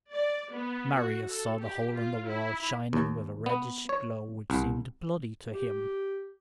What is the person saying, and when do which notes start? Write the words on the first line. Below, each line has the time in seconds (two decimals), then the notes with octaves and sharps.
Marius saw the hole in the wall shining with a reddish glow which seemed bloody to him.
0.12 D5
0.53 B3
0.93 F#4
1.28 A4
1.61 G4
1.94 F4
2.27 E4
2.93 D#2
3.46 B3
3.89 C#5
4.50 C2
5.54 G4